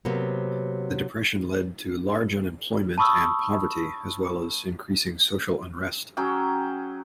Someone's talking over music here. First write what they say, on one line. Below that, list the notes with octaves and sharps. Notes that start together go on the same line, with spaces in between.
The depression led to large unemployment and poverty, as well as increasing social unrest.
C3 F#3 A#3 B3
A5 B5 C#6 D#6 E6
F#3 C#4 G#4 G5